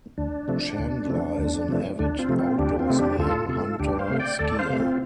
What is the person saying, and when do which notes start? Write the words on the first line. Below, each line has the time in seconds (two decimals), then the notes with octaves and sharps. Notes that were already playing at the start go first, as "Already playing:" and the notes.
Chandler is an avid outdoorsman, hunter, skier.
0.18 D2 D4
0.48 C3 F3 A3
0.78 D2
1.08 C3 F3 A3
1.38 D2
1.68 C3 F3 A3
1.99 D2 D4
2.19 C4 F4
2.29 C3 F3 A3
2.39 C4 F4
2.58 D2 D4 G4
2.79 C4 F4
2.90 C3 A3
2.98 D4 G4
3.18 D2 F4 A4
3.49 C3 A3 F4 A4
3.79 D2 D4 G4
3.99 C5 F5
4.09 C3 A3
4.19 D5 G5
4.39 D2 A4 D5
4.59 C5 F5
4.70 C3 A3
4.80 C4 F4